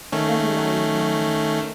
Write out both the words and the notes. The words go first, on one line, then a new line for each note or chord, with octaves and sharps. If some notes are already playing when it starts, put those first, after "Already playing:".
Then the lion yawned.
D#3 A3 C#4